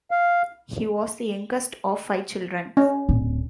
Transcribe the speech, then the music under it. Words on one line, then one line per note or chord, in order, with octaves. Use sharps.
He was the youngest of five children.
F5
C#4
D1